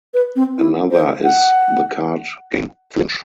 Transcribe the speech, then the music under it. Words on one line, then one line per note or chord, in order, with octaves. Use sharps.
Another is the card game Flinch.
B4
C4
E4
C5
F#5